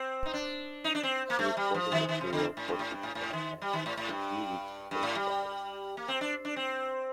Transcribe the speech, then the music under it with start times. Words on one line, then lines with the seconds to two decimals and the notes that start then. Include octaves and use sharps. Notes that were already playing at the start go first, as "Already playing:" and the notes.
She recorded material for future broadcasts just a few weeks before she died.
Already playing: C4
0.26 D#4
0.34 D4
0.84 D#4
0.95 D4
1.03 C4
1.30 A#3
1.39 A3
1.57 G3
1.74 F3
1.92 D#3
2.09 D#3
2.21 C3
2.33 D3
2.57 A2
2.68 G2
2.79 A2
2.91 G2
3.03 A2
3.15 A2
3.33 D#3
3.62 G3
3.73 D#3
3.86 A2
3.97 A2
4.09 G2
4.91 G2
5.03 A2
5.15 G3
5.97 A#3
6.08 C4
6.21 D4
6.45 D4
6.56 C4